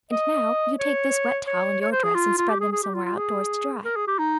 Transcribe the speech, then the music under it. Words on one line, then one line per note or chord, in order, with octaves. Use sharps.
And now you take this wet towel and your dress and spread them somewhere outdoors to dry.
D#5
C#5
C#5
C#5
C5
G#4
F4
F4
G4
G#4
G#4
G4
F4
F4
G#4
A#4
G#4
G4
D#4